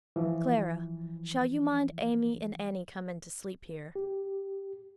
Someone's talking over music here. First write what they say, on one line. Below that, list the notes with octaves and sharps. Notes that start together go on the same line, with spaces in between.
'Clara--shall you mind Amy and Annie comin' to sleep here?
E3 F3
G4